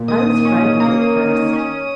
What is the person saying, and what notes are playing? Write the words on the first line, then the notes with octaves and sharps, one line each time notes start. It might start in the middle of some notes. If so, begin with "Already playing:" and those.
I was frightened at first.
Already playing: A#2
D#3 D#6
C#4
A#3 D#6
D#3
C#4